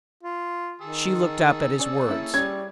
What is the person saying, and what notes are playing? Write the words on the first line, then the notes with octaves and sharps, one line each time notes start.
She looked up at his words.
F4
D#3 G#4 A5 E6
C#4 D5
A#3 C#4 E4
G3 C#4 G#6